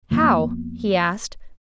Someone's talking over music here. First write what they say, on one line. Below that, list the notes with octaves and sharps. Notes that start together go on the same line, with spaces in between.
"How?" he asked.
F2 F3 A#3 B3